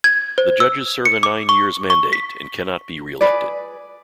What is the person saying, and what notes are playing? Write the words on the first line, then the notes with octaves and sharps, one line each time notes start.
The judges serve a nine years mandate and cannot be re-elected.
G#6
C5
E6
C#7
D6
C#6
C#6
B6
G#4 B4 D5